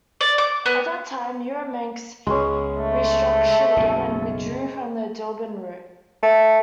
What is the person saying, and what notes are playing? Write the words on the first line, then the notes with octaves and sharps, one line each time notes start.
At that time, EuroManx restructured again and withdrew from the Dublin route.
D5
D6
B3
C#2 G#3 B3 C#4
A3
F#1 B1 C#3
A3